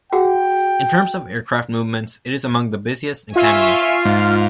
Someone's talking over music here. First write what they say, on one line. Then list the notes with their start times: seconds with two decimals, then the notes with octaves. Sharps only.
In terms of aircraft movements, it is among the busiest in Canada.
0.13 F#4 G#4 F#5 G5
3.36 F4 E5 G#5 C#6
4.05 G#2 F5